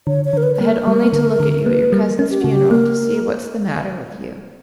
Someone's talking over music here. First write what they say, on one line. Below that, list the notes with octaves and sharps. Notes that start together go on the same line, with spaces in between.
I had only to look at you at your cousin's funeral to see what's the matter with you.
D3 C#5
C#5
D3 A#4
B4
B4
A#3 A#4
G3
D3
D3
A#4
A#3 B4
G3 A#4
C#4 A#4
G4
C#3 F#4
G4
A#3 A#4